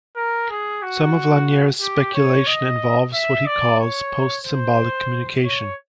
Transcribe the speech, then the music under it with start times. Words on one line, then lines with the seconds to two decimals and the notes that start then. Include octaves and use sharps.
Some of Lanier's speculation involves what he calls post-symbolic communication.
0.16 A#4
0.50 G#4
0.82 F#4
1.81 G4
2.14 C#5
2.47 D#5
3.14 E5
3.46 D5
3.79 C#5
4.45 C5
5.45 C#5